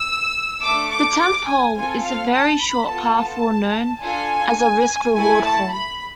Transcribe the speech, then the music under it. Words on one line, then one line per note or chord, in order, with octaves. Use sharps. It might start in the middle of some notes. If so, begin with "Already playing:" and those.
The tenth hole is a very short par four known as a risk-reward hole.
Already playing: E6
A3 D4 A4 D6
D6
D6
G#5
C4 F4 A4 G#5
F5
A5
B5
B3 F4 A4 A5
D4 F4 A4 G#5
A3 E4 A4 G#5
A5
B5